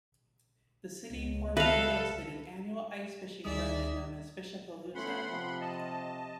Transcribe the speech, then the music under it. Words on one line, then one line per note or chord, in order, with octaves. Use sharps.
The city formerly hosted an annual ice fishing tournament known as Fishapalooza.
C#2
A4 B4 E5 F5
D2 D#3 G3 D#4 G#4 D5 E5 D#6
A3 B3 C#4 F#5 B5 C6
C3 F3
D#5 A5